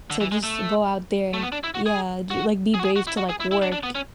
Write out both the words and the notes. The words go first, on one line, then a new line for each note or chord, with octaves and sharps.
to just go out there and yeah, ju like, be brave to like work.
D3
E3
G#3
A3
A3
B3
D4
E4
F#4
G#4
F#4
G#4
F#4
G#4
F#4
E4
F#4
G#4
E4
E4
D4
D4
B3
C#4